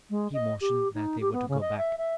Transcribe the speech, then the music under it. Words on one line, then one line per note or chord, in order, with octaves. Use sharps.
He motioned that they were to go back.
G#3
D#5
G4
D#4
G4
B3
C#3
D#5
E5
E5